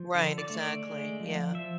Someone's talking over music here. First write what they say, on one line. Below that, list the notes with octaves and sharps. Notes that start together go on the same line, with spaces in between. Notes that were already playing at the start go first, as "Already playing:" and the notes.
Right, exactly, yeah.
Already playing: F3
D3
D5
A3
D5
G#3
F3
F3 E5